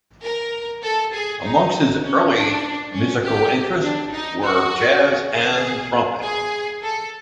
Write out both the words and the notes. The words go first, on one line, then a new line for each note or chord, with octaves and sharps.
Amongst his early musical interests were jazz and trumpet.
A#4
A4
G#4
D#4
C#4
D4
C#4
G4
D4
D#4
F#4
G#4
G#4
A4